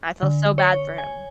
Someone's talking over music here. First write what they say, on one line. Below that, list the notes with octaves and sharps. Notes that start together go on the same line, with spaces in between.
I feel so bad for him.
D3
C#5
G#5